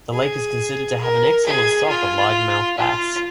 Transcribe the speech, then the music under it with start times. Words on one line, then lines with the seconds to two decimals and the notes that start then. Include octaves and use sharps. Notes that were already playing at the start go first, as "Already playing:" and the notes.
The lake is considered to have an excellent stock of largemouth bass.
0.13 G#4
1.01 A#4
1.45 G#4
1.89 F4
2.77 F4